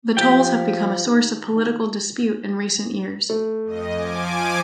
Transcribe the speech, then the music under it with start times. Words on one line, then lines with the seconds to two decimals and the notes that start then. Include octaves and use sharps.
The tolls have become a source of political dispute in recent years.
0.17 F3 G4 G5
1.05 D#2
1.55 D#3
3.30 A3
3.64 F2 D#5
3.96 F3 G#5 D6